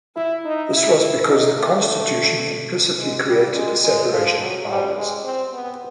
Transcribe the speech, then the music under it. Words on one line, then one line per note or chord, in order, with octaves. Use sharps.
This was because the Constitution implicitly created a separation of powers.
E4
D#4
E4
E4
D#4
A3
G#3
G3
G#3
G#3
F3
F#3
G3
G#3
C4
B3